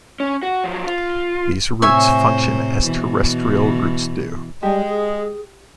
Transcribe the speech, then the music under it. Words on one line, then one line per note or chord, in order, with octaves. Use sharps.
These roots function as terrestrial roots do.
C#4
F#4
F3 F#3
F4
A2 C3 C5 C#5 E5 G#5
B2 E3
G3 G#3 G4 A5
G#4